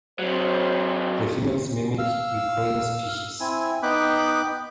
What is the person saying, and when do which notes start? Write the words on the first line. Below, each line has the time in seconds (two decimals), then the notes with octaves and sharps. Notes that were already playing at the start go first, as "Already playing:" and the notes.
The females mimic "Euploea" species.
0.19 C3 F#3 C5 C#5
1.99 F5 E6
3.40 C4 E4 G#5
3.83 B3 D#4 G5 B5 D6 F#6